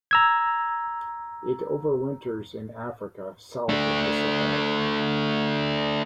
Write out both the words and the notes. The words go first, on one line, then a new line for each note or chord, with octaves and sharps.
It overwinters in Africa south of the Sahara.
A#5 E6 G#6
A3 D4